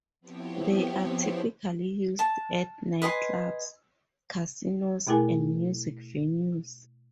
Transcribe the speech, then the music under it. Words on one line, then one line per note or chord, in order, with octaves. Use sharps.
They are typically used at nightclubs, casinos and music venues.
F3 B3 C4 E4 G4 C#5
A5
B4 D#5 G#5 C6
B2 A3 E4 G#4 A#4 G#5